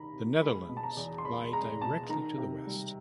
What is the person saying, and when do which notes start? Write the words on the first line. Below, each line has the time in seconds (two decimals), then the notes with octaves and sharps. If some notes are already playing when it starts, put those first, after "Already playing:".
The Netherlands lie directly to the west.
Already playing: C2 D#3 A#5 B5
0.13 C3
0.41 G#3 B5
0.69 B2
0.77 A5
0.83 A#5
0.97 E2
1.18 C6
1.25 E2 B5
1.53 G#3 A#5
1.82 B2 A5
2.09 D#3 A#5
2.38 C3
2.66 G3